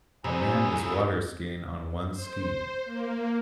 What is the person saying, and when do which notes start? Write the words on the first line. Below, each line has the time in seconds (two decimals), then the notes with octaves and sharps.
A man is waterskiing on one ski.
0.24 F#2 C3 E3 G#5 B5 D#6 E6
2.12 C5
2.85 A#3